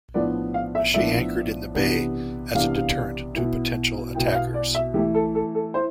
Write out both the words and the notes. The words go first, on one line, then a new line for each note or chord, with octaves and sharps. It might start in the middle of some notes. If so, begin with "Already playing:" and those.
She anchored in the bay as a deterrent to potential attackers.
A2 F3 B3 D4 D5
F5
E5
A2 F3 B3 D4 E5
C3 E3 B3 D4
C3 E3 B3 D4 F5
B2 B3 E4
B2 B3 E4 G5
F5
D5
E5
E3 A3 E4 G4
A4
A4
A4
E4 C5